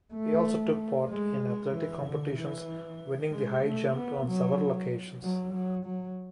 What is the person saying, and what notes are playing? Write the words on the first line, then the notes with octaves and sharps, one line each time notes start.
He also took part in athletics competitions, winning the high jump on several occasions.
A3
G#3
E3
D3
E3
G#3
A3
B3
F#3
F#3
F#3
F#3